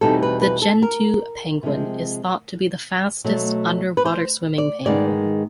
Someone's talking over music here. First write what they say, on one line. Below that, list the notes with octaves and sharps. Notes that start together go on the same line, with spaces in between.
The Gentoo penguin is thought to be the fastest underwater-swimming penguin.
E2 B2 G3 C4 D#4 A4
B4
B4
A4
A#4
C3 F3 G#3 C4
B2 F#3 A3
B4
C5
D5
G#2 D#3 G#3 B3 D5